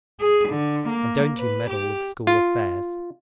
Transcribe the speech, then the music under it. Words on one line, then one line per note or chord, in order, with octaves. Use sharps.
And don't you meddle with school affairs.
G#4
D3
A#3
B4
G4
F4